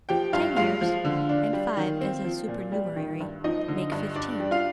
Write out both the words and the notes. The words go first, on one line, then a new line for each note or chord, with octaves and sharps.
"Ten years, and five as a supernumerary make fifteen."
F3 G4 G5
G2 F4 F5
G#3 F4 F5
F3
D3
D4
G3
D#3
C4
F3
A#2
G3
D#3
G2
F3 D#4 D#5
D3
G2
D4 D5
G3
F4 F5